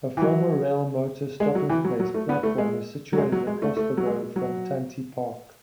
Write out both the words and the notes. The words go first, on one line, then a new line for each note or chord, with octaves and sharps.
A former Railmotor Stopping Place platform is situated across the road from Tanti Park.
E3
F#3
G#3
F#3
E3
F#3
F#3
A3
B3
A3
G#3
F#3
G#3
F#3
G#3
A3
A3
F#3
G#3
F#3